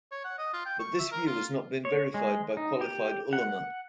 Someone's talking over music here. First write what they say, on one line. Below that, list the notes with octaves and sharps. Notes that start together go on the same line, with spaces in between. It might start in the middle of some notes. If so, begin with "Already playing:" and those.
But this view has not been verified by qualified ulama.
C#5
F#5
D#5
F4
G5
C#6
E5
A#4
F4
C#5
G#3
D#4
G4
F#5